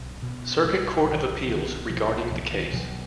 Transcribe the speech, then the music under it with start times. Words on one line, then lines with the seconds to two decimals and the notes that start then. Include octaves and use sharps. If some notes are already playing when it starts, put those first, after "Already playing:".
Circuit Court of Appeals regarding the case.
Already playing: B1
0.22 B2
0.63 B1 G3
1.05 B1 D#3
1.48 B1 D#3
1.89 B1 F3
2.31 B1 F3
2.52 D#3
2.73 B1 F3